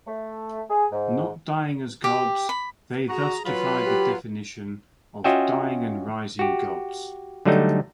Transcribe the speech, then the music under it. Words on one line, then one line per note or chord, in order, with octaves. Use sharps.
Not dying as gods, they thus defy the definition of "dying-and-rising-gods".
A3
G#4
G#2
G4
B5
F#4 G#4 A#5
F#3 F4 B4 B5
G4
C#4 F4 F#4 D#5 E5 G5
F#4 G4
D3 F#3 G3 A3 D#4